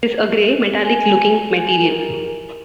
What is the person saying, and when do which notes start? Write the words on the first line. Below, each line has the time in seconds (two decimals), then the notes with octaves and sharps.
It is a grey, metallic looking material.
0.84 G#5
1.79 D#4 E4 G4 G#4 A#4